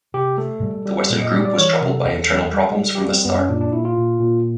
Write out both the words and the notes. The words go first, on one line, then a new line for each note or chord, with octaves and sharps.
The western group was troubled by internal problems from the start.
C3 G4
A3 A4
G3
G3
A#2
D#5
G3
D5
E3 C#5
A#4
C3
A4
E2
E2
G3
G3
G4
G3 F#4
C4
F#2 B3
C#4
A#2 D4
D4
A#2 E4
F4
A#2
A#2